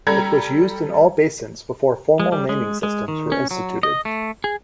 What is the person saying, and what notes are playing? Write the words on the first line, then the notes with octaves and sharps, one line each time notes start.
It was used in all basins before formal naming systems were instituted.
G3 A4 A#5 G#6
G#3
G3
G#3
G#3
D#3
C#4
F#3
D#5
A3
G#4